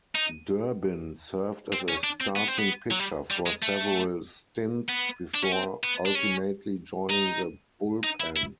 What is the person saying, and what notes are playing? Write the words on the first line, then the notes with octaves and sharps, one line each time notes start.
Durbin served as a starting pitcher for several stints, before ultimately joining the bullpen.
D#4
C4
C#4
D4
C4
B3
C4
B3
F#3
G3
G3
G#3
A3
B3
D4
C#4
C4
B3
D4
C#4
D#4
D#4
E4
E4